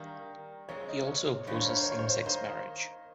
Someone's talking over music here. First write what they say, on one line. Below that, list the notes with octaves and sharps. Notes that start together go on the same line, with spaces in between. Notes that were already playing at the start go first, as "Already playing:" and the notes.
He also opposes same-sex marriage.
Already playing: D#3 G3 A#3
A#2 F3 G#3 C4 C#5
D#5
C#5
G2 D#3 A#3 D#4 C5
C#5
C5
C#5
C5
C#5
C5
C#5
C5
D#3 A#3 D#4 C5